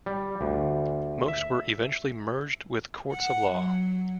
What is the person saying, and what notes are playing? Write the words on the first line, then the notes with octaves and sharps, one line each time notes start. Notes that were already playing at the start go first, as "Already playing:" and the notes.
Most were eventually "merged with courts of law".
G3
D2
E5
F#5
F#3